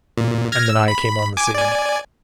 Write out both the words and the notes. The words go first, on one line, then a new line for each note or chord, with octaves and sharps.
And then I came on the scene.
A#2
F6 G#6 A#6
E6
B5
G#5 D6
D5 G#5